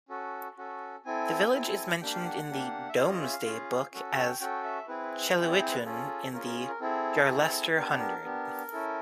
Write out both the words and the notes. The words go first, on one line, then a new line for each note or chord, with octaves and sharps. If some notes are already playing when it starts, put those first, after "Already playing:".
The village is mentioned in the "Domesday Book" as "Cheluitun" in the "Yarlestre" hundred.
C#4 F#4 A4
C#4 F#4 A4
C4 E4 A4 G#5
C4 E4 A4
A#3 D4 G4 G5
F5
F#5
A#3 D4 G4
E5
C#4 F4 G#4 F5
D#5
E5
F5
C#4 F4 G#4
C#4 F#4 A4
G5
C#4 F#4 A4 G5
E5
C4 E4 G#4 B4
C4 E4 G#4 C5
D5
C5
B4
C#4 F4 G#4 A4
C#4 F4 G#4 A#4
A#4
A#4
C4 E4 G#4 A4
C4 E4 G#4
B3 D4 G4 A#4
B4
A#4
B3 D4 G4
C#4 E4 A4